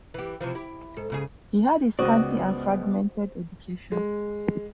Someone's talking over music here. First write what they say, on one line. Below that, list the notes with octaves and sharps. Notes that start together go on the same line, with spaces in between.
He had a scanty and fragmented education.
E3 G4
C3 E3 F3
E4 G4
G#2 A4
G#2 C#3 G#4
C#2 B3 F#4 C5 D5 D#5 D#6
G#3